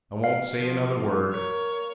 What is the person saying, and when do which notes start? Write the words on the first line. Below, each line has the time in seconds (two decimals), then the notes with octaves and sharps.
"I won't say another word."
0.24 F5
0.59 F3
1.32 A#4 C#5